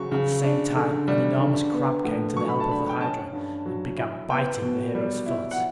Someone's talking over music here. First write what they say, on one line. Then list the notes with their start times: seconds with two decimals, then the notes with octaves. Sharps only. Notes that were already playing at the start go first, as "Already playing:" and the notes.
At the same time an enormous crab came to the help of the hydra and began biting the hero's foot.
Already playing: C#3 F#3 C#6
0.12 C#3
0.43 D4
0.75 D3
1.08 G3
1.39 D3
1.72 B3
2.05 A2
2.36 F#3 C#6
2.48 B5
2.60 A5
2.69 D4 B5
2.89 G5
3.01 C#4 A5
3.33 G2
3.66 F#3
3.98 E4
4.30 B3 G5
4.62 B2
4.95 G3
5.26 E4
5.51 F#5